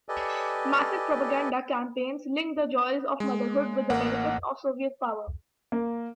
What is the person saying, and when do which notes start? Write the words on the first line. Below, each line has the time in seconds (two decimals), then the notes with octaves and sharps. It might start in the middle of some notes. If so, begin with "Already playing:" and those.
Massive propaganda campaigns linked the joys of motherhood with the benefits of Soviet power.
0.09 G4 A4 B4 D5 D#5 G#5
3.20 G#3
3.90 A1 A#3 F#5
5.72 A#3